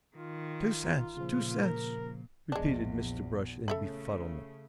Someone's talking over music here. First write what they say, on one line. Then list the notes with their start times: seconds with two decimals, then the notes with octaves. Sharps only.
"Two cents, two cents," repeated Mr. Brush in befuddlement.
0.16 D#3 F4
0.83 G1 A#5
1.17 A#2 C#3 F3
1.62 A#4
2.52 A#1 E2 G#3 D4
3.68 C#3 A3 A4 E5 B5